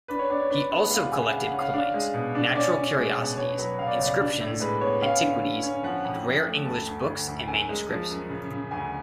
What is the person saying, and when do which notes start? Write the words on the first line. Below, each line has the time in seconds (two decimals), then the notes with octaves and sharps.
He also collected coins, 'natural curiosities,' inscriptions, antiquities and rare English books and manuscripts.
0.08 D4 B4
0.19 C#5
0.30 D4 D5
0.40 C#5
0.50 D4 B4
0.71 B3 C#5
0.91 G#3 F5
1.01 F#5
1.12 C#3 G#5
1.23 F#5
1.32 C#3 F5
1.46 F#5
1.53 C#4
1.59 F5
1.73 D4 F5
1.94 G#3
2.14 B2
2.35 D4
2.55 C#4 D5
2.76 C#4
2.97 G#3
3.17 B2
3.37 B3 C#5
3.58 F#3 B4
3.79 C#3 F5
3.87 D5
3.94 C#5
3.99 C#2 D5
4.20 D4
4.40 A2
4.60 G#3 B4
4.81 B3 C#5
5.01 C#4 F5
5.22 D3
5.42 D3
5.63 C#4
5.83 F3 F#5
6.04 F2
6.24 F2
6.46 A3
6.65 D2 A5
6.87 D2
7.07 D2
7.27 D2
7.48 F#2 G#5
7.69 G#3
7.89 F3
8.10 F#2
8.30 C#3
8.50 C#3
8.71 D2 G#5